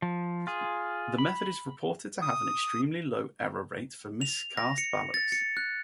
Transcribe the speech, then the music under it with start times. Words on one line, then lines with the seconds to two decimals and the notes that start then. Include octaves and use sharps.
The method is reported to have an extremely low error rate for miscast ballots.
0.02 F3
0.47 F4 G#4
1.18 B5
2.22 D#6
4.21 F7
4.57 A#6
4.78 C#7
5.14 A6
5.32 C#7
5.57 F#6